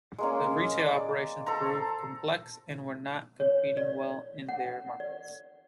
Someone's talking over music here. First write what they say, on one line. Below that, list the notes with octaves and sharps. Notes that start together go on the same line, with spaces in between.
The retail operations proved complex and were not competing well in their markets.
G#3 A#3 C#4
D5
A4 C5 A#5
C#5
D5
F#5
D5